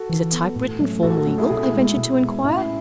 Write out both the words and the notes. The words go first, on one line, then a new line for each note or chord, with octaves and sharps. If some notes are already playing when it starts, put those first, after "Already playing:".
'Is a typewritten form legal?' I ventured to inquire.
Already playing: F#4 A4
E3
B3
A2
F#3 A3 C#4
A2 F#4 A4
F#4 A4
F#3 A3 C#4
E4 G#4
B2 E4 G#4
G#3 B3
B2
G#3 B3
A2 C#4 E4